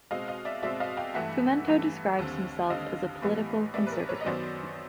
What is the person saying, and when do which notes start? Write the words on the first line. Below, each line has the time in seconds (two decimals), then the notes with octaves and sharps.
Fumento describes himself as a political conservative.
0.11 B2 G#3 C4 D#5 F5
0.28 D#5 F5
0.45 D5 E5
0.63 B2 G#3 C4 D5 E5
0.80 D#5 F5
0.97 F5 G5
1.14 G2 E3 A3 E5 F#5
1.67 G2 E3 A3
2.19 D#2 D3 G3 C4
2.70 D#2 D3 G3 C4 D#5 F5
3.22 A2 E3 G3 B3
3.74 A2 E3 G3 B3 D5 E5
3.87 B4
3.92 A#4
4.09 B4 C#5
4.21 D#5
4.26 F#2 D#3 F#3 B3 C5 D5